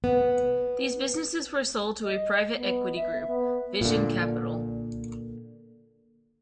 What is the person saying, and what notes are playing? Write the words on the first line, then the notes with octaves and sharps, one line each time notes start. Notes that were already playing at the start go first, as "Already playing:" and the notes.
These businesses were sold to a private equity group, Vision Capital.
B3
D#5
B3
E5
B3
A#2 D3